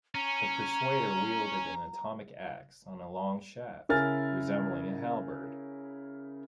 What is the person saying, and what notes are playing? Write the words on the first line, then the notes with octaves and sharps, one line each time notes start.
The Persuader wielded an "atomic axe" on a long shaft, resembling a halberd.
C#4 A#5
C#3 E4 A#4 G#5 F6 A6